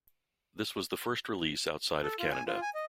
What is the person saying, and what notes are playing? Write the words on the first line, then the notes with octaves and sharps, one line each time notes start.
This was the first release outside of Canada.
A4
F4
G#5
F4
G#5
D#5